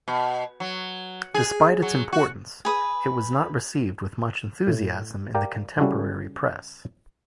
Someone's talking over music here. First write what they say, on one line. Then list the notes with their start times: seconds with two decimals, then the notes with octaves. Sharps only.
Despite its importance, it was not received with much enthusiasm in the contemporary press.
0.08 B2
0.60 F#3
1.34 G#4
1.82 F#3
2.13 F#4
2.65 G#4 B4 D#6
4.67 A2
5.35 G4 A#4 D5 F5 G5
5.80 C#3 G3 C#4 E4 F#4 A4